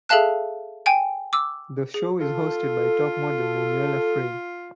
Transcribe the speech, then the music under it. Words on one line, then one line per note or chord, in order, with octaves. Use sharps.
The show is hosted by Topmodel Manuela Frey.
G#4 A4 E5 F5 A5 F#6
G5 G#5 D7
D6 E6
G#4
F4 A4